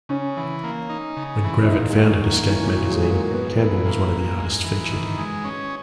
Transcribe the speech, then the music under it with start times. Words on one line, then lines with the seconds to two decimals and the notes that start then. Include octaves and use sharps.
When Gravett founded "Escape Magazine", Campbell was one of the artists featured.
0.09 C#3 C#4
0.37 E3
0.64 A#3
0.89 D#4
1.17 C#3
1.44 E3
1.62 E4
1.70 A#2 D#4
1.90 G#3
1.97 F#3
2.10 D#3
2.24 A#3
2.30 D#3
2.50 E3 C#4
2.71 F#3
2.78 A#2
2.90 G#3
3.04 F#3
3.11 A#3
3.30 G#2 B3
3.58 E3
3.84 A#3
4.11 G#2
4.38 G#2
4.64 E3
4.92 D#3
5.18 G#3
5.44 C#4